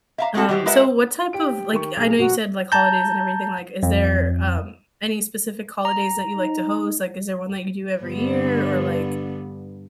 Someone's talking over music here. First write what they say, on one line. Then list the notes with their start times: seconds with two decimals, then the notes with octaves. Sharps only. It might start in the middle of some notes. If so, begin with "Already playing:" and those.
Um, so what type of, like I know you said, like, holidays and everything, like, is there, um, any specific holidays that you like to host? Like, is there one that you do every year, or like,
0.18 E5 F5 A#5
0.34 G#3 A3 C4 F#4 A4
0.49 D#3 E3 F#4 G4 C5
0.66 G#3 F4 A#4 B4 E5 F#5
1.33 G4 D7
1.73 D#3 G4 C#6
1.97 B1 G#4
2.19 B2 F#3 F#4
2.72 A5 A#5 G6
3.83 F2
5.85 A#5
6.37 D#4
8.02 G2 D3 B3